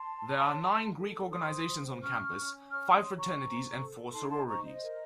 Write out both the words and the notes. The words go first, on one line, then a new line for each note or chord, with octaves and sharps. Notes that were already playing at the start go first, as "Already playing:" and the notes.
There are nine Greek organizations on campus, five fraternities and four sororities.
Already playing: A5 C6
C#5
A4
A4
C5 C6 D#6
C5
C#4 C#6 F6
C#4
C#5 C#6 F6
C6 D#6
C#4
A#5 C#6
C5
A4
D#4 A5 C6
A#5
A5 C6
C5 A#5 C#6
D#5
A#4